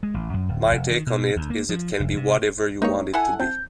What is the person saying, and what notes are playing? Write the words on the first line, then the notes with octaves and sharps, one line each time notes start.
My take on it is it can be whatever you want it to be.
G#3
A1
F#2
D1
F1
D#3
B2
D2
A#3
F3
F1
C3
G#3 A#3 D#4 C#5
E4 A4 F#5 G#5 B5
C4 A5 G6